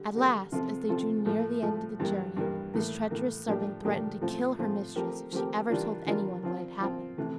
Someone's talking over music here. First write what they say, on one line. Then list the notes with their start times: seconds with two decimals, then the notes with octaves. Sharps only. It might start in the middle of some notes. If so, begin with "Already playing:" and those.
At last, as they drew near the end of the journey, this treacherous servant threatened to kill her mistress if she ever told anyone what had happened.
Already playing: D3 G3
0.15 D3 G3 A#3
0.52 C3 F3 C4 F4 A4
0.89 C3 F3 C4 F4 A4
1.26 A2 F3 A3
1.62 A2 F3 A3
2.00 G2 E3 G3 A#3
2.36 G2 E3 G3 A#3
2.74 A2 E3 A#3
3.11 A2 E3 A#3
3.47 A2 F3 A#3 D4 G4
3.85 A2 F3 A#3 D4 G4
4.21 A2 F3 C4 F4
4.59 A2 F3 C4 F4
4.96 F3 A3 C4 G4 A#4
5.33 F3 A3 C4 G4 A#4
5.69 E3 G3 D4 F4 A#4
6.06 E3 G3 D4 F4 A#4
6.43 F3 C4 F4
6.80 F3 C4 F4
7.18 C3 E3 A3